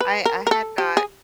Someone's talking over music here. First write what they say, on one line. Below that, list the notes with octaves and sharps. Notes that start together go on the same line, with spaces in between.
I I had not
B4
A#4
A#4
A4
G4
G#4